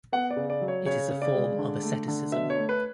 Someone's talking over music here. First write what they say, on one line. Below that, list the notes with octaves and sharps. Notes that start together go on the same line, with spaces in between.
It is a form of asceticism.
B3 F#5
D5
C#3
D5
F#3
C#5
C#3 C#5
C#3
D5
G#3
D3
A3
D3
B2 E5
C#5
A3
B4